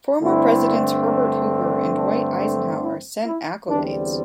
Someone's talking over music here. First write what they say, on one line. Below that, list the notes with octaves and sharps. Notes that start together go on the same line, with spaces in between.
Former Presidents Herbert Hoover and Dwight Eisenhower sent accolades.
G2 D3 A3 C4 E4
D4
D4
E4
E4
E2 D3 G3 C4 D4